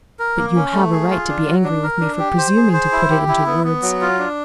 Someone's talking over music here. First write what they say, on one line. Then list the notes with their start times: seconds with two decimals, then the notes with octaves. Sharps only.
But you have a right to be angry with me for presuming to put it into words.
0.19 A#4
0.37 A#3
0.56 C#4
0.73 A3
0.92 G#4
1.10 F4
1.28 D4
1.46 F#3
1.64 D4
1.83 A#4
2.00 D4
2.19 G4
2.38 C5
2.56 G#4
2.73 C5
2.92 E4
3.10 G4
3.28 E4
3.46 B3
3.64 B3
3.82 F#3
4.01 F4
4.19 D4